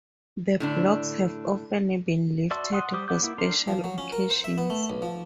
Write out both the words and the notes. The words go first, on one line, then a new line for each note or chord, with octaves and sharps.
The blocks have often been lifted for special occasions.
A2 D3 D4
F#4 D5 E5 A5 C6
F#5 C6 D#6 F#6
G3 C5 D6 D#6
F#3 B3 F#5 D6 G6
A#3 E4
D4 A4 A#4 A#5 C6
F3
F#3
C#4
A#4
C5
E5
B3
A3
B1
F3